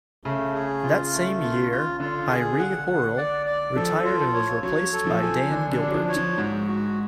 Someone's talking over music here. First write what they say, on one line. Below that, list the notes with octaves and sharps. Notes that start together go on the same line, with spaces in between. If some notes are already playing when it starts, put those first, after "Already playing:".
That same year, Irie Horrall retired and was replaced by Dan Gilbert.
C#3 A3
G#4
F4
A3
F4
F4
D3 F4
G#4
F#5
F#5
D5
D5
F3 A4
F4
C#5
F#3 C#5
A4
F3
G#5
D3 D4
D3
D4
F#3
F3
C#5
F3
G#2 F#4
F#4